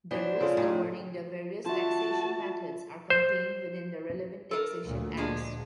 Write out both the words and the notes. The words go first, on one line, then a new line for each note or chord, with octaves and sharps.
The rules governing the various taxation methods are contained within the relevant taxation acts.
E3 B3 D4 C5 C#5
C#3 C#4 F4 A4
A2 D#3 G#4
F4 F#4 E5 A5
C5
A4 A#4
D2 A#2
F3 G#3 D4